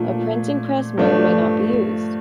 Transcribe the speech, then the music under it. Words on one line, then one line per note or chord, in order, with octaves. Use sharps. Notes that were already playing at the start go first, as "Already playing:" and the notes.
A printing press may or may not be used.
Already playing: A#2 F3 A3 D4
G2 F3 A3 D4